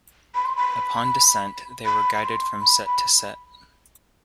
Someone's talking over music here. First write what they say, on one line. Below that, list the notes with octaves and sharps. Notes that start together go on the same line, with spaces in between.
Upon descent, they were guided from set to set.
B5
C6
B5
B5
B5
C6
B5
B5